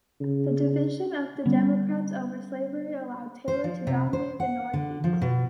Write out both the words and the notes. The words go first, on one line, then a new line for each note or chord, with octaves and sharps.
The division of the Democrats over slavery allowed Taylor to dominate the Northeast.
C#3
D3 G3 B3 C#4
C5
F3
C3
C5
F#5
D3
F3
B2